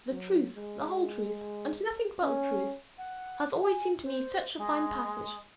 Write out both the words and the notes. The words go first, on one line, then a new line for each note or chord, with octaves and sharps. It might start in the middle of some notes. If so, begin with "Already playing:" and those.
'The truth, the whole truth, and nothing but the truth,' has always seemed to me such a fine passage.
F#3
G#3
C#4
F#5
G#5
C5
G#3